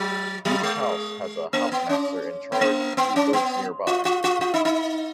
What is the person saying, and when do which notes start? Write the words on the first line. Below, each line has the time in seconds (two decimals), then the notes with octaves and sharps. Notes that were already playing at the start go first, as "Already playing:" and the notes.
Each house has a housemaster in charge who lives nearby.
Already playing: F#3
0.45 F#3
0.63 G#3
1.53 A#3
1.72 B3
1.89 C#4
2.52 B3
2.61 A#3
2.97 B3
3.16 C#4
3.33 B3
3.87 F4
4.05 F4
4.24 F4
4.41 F4
4.54 D#4
4.65 D#4